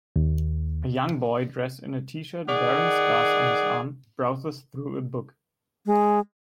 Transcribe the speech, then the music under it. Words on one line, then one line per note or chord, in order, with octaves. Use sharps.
A young boy dressed in a tshirt bearing scars on his arm, browses through a book.
D#2
D#3 G#4 D5 F#5
G#3